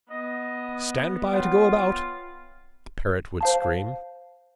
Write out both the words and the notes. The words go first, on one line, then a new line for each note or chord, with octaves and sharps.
"Stand by to go about," the parrot would scream.
B3 D#5
F4 C#5 F#5 G5
C5 F5 A5